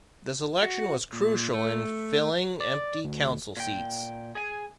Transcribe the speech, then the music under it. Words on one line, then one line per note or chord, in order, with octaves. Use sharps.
This election was crucial in filling empty council seats.
F#4
A#2
A3
D5
D2
A#2 G5
G#4 G#5